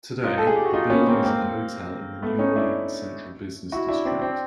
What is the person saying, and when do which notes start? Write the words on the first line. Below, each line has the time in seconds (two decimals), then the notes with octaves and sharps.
Today, the building is a hotel in the New Orleans Central Business District.
0.24 D#4 F4
0.38 A4
0.47 G#4
0.56 G4
0.65 F#4
0.73 D#4 F4
0.90 B3 C#4
1.07 A#3 C4
1.23 A#3 C4
2.22 A3 B3
2.39 C#4 D#4
2.56 D4 E4
3.72 E4 F#4
3.88 D4 E4
4.05 C4 D4
4.22 C4 D4